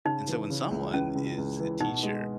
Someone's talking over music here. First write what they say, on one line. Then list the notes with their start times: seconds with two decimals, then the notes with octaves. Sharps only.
and so, when someone is a teacher,
0.05 C#3 D#4
0.28 E3
0.50 C#3
0.71 C#2
0.94 E3 C#4
1.15 C#2
1.38 C#2
1.59 E3
1.81 B2 D#4
2.03 G#3